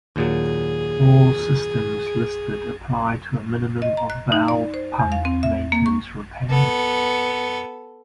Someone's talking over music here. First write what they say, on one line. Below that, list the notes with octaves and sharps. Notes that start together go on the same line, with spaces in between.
All systems listed apply to a minimum of valve, pump maintenance repair.
D#2 A#2 F#3 G#4
D#5
A#5
F#6
D#4
D5
C5
E2
F5
C4
E5
A#3
C#6
B3 A4